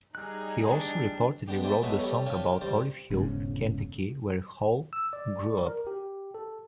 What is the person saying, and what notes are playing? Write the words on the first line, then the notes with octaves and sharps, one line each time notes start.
He also reportedly wrote the song about Olive Hill, Kentucky, where Hall grew up.
G3 D#4 G#4 F#6
D4
G#3 B3 D4 G4
G#4 C5 D5 E5 G5
F#3 G#3 A3 B3 G#4 E5
G3 A3 C#4
C3 C4 D4 F4 G4 C#5
G2 G3 C4 C5 D5
E1 G#2 C#3
E6
D5
A#4
G4
A4